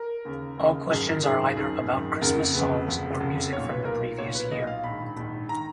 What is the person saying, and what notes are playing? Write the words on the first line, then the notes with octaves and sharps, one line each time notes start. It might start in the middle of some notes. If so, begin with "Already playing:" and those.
All questions are either about Christmas songs, or music from the previous year.
Already playing: A#4
D#2 C#3
D#2 C#3
G#1 F#2 D#3 G#4
A#4
G#1 F#2 D#3 G#4
G#1 F#2 D#3
G#1 F#2 D#3
F#1 F2 C#3 A#4
F#1 F2 C#3 B4
F#1 F2 C#3
F#1 F2 C#3
B1 A#2 C#5
B4
B1 A#2 A#4
B1 A#2 C#5
B4
B1 A#2 D#5
F5
A#1 G#2 D#3 B5
A#1 G#2 D#3
D#3 A#5